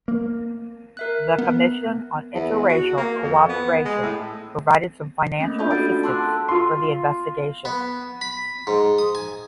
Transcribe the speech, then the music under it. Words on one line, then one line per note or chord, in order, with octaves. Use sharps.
The Commission on Interracial Cooperation provided some financial assistance for the investigation.
A#3
A#4 E5 F#6
B3
E2
F#4
A#3
F2
B3
G#3
A2
A3 A#3 C4 C#4
D4 F4 D5 E5 B5 G6
F#4 A4 E5 F#5 A6 D7
F#5
A5 C6 D6 E6 F#6
A4
F4 C6
B3
B5
G#2
D#6
G#5